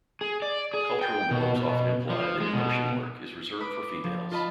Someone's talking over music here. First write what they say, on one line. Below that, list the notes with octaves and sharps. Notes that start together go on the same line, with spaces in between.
Cultural norms often imply that emotion work is reserved for females.
G#4
D5
G#4
G5
B2
B2
F3
G#3
B2
B4 B5 D6 D#6
F3
F4 D#5 A5 B5